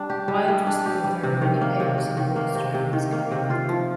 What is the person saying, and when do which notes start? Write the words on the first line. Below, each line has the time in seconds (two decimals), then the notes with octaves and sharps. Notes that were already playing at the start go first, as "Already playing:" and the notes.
Wyld was the author of many papers and books during his career.
Already playing: G3 D4
0.10 G4
0.28 G3
0.48 G3
0.67 D4
0.86 G4
1.04 G3
1.23 C3
1.42 D#3
1.61 A#3
1.80 C3
1.98 C3
2.17 D#3
2.36 A#3
2.55 C3
2.74 C3
2.93 D#3
3.12 A#3
3.31 C3
3.50 F4
3.69 F3